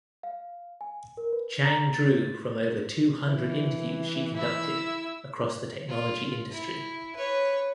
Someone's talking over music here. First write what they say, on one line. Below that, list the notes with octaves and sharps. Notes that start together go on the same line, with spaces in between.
Chang drew from over two hundred interviews she conducted across the technology industry.
F5
G#5
A#4
B4
A#5
A6
E3
E4 E6
F4
E4
B4 C#5